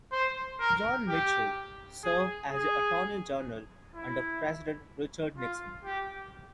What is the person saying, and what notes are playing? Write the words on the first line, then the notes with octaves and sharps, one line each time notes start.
John Mitchell served as Attorney General under President Richard Nixon.
C5
A#4
G4
G#4
G#4
E4
F4
G4